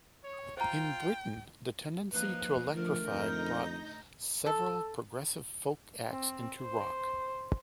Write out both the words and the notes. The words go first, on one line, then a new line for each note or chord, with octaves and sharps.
In Britain the tendency to electrify brought several progressive folk acts into rock.
C#5
F4 C5 G5 A#5
F3 A#3 D#4 B4
D3 F3 A3 A#4
F2 D#4 G6 A#6
A4
C4
C5